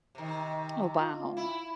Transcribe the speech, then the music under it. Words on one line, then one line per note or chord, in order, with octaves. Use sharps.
Oh, wow.
C3 D#3
F4
E4 B5